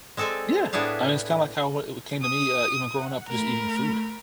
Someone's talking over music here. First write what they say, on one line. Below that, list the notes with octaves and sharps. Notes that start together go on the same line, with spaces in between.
Yeah, I mean, it's kinda like how wh it came to me, uh, even growing up just eating food.
G#3 C4 A4 D5 G#5
A2 B3 D4 E4 G#4 F5
D#6
F#5
A3 A#4 B5